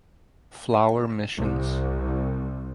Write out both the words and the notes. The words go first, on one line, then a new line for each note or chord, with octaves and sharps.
Flower Missions.
C2